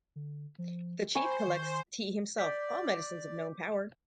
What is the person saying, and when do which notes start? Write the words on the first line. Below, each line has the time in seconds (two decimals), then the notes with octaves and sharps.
The chief collects t himself all medicines of known power.
0.16 D3
0.58 F3
1.15 C5 G#5 B5 C#6
1.47 D#3 C5
2.39 D5 D6 G6 B6